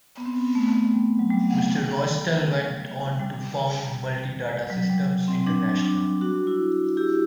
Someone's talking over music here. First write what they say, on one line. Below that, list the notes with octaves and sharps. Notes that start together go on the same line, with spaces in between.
Mr. Roestel went on to found Multidata Systems International.
B3
C4
B3
A3
G3
F#3
G3
G3
F#3
G3
C4
D4
D4
D4 F#4
E4
E4 G4